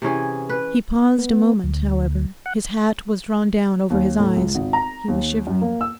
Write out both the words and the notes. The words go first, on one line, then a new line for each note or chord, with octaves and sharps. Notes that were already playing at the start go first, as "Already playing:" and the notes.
He paused a moment, however; his hat was drawn down over his eyes; he was shivering.
C3 E3 C#4 G#4
B4
B3
D2
F#5
D#2
A2
C#2
G#1
A#5
D#2
F#2
A#3
E6